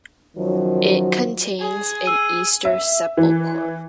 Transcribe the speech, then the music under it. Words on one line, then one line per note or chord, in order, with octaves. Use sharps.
It contains an Easter Sepulchre.
F#2 D#3 F3 F#3
G#4 G#5
E6 D#7
E5
E3